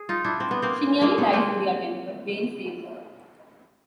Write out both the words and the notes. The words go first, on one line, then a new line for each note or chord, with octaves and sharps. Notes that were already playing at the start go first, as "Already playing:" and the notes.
She nearly dies in the attempt, but Bane saves her.
Already playing: G#4
D#4 F4
D4 E4
C4
B3
A#3 C4
G#3 A#3
A3 B3
A#3 C4